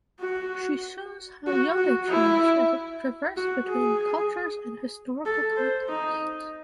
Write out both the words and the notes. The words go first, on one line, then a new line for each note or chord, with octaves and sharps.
She shows how yoga changed as it traversed between cultures and historical contexts.
F#4
F#4
F#4
E4
F#4
G#4
A4
C5
D#4